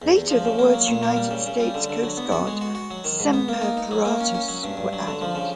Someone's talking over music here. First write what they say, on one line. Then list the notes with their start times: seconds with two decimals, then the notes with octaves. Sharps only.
Later, the words, "United States Coast Guard-- Semper Paratus" were added.
0.02 E2
0.16 E2
0.30 F3
0.45 C#3
0.59 A#3
0.74 F#3
0.88 A#2
1.03 A#3
1.16 G3
1.31 C#3
1.46 C#3
1.60 G3
1.74 D3
1.89 D3
2.03 F#3
2.17 B3
2.32 F#4
2.47 G#3
2.61 F#4
2.75 F#4
2.91 F#3
3.05 D#3
3.19 G#2
3.33 B3
3.48 A#3
3.62 D#4
3.77 D#4
3.91 F#3
4.05 A#3
4.20 C#4
4.34 C#4
4.48 F#3
4.63 G2
4.77 G2
4.93 F#3
5.07 D3
5.22 F3
5.35 C#3